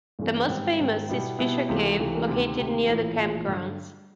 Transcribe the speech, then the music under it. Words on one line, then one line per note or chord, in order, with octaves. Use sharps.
The most famous is Fisher Cave, located near the campgrounds.
G1 G2 E3 A3 C#4
G#2 D#3 G3 C4
G#2 D#3 G3 C4
B2 G3 B3 E4
B2 G3 B3 E4
C#2 C3 E3 A3
C#2 C3 E3 A3
D2 C3 D#3
D2 C3 D#3
A#1 A2 E3
A#1 A2 E3
G2 D3 F#3